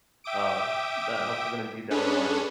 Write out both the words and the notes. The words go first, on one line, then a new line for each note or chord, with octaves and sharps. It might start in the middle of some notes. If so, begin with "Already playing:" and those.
Um, but I hope to run into you down the line.
E5 G5 D6 D#6 D7
C#4 D4 G#4 A4 B4 C#5